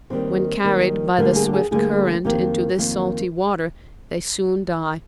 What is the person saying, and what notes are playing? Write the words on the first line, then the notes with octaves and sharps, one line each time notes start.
When carried by the swift current into this salty water they soon die.
D#2 D#3 G3 C4
D#2 D#3 G3
D2 D3 G3 A#3 A#4
G#4
G4
G#4
D2 D3 G3 A#3 G#4
F2 D#3 A#3 G4
F2 D#3 A#3